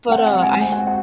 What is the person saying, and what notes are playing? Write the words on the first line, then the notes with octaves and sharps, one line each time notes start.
but, uh, I
C4 F#5
F#5
G#3
G#5
C5
F#4 F#5
F#5